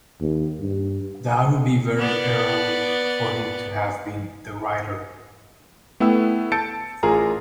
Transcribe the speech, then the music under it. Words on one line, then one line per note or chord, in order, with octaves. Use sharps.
That would be very early for him to have been the writer.
D#2
G2
B3 D5
A3 B3 E4 G5 E6
A5 E6 G6 A6 C#7 D7
A1 F4 G#4 A#4 A#5